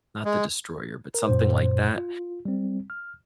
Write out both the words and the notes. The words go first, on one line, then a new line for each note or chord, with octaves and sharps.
not the destroyer but something like that.
G#3
A#4
F#2 A#2 C5
F4
G3 C4
F6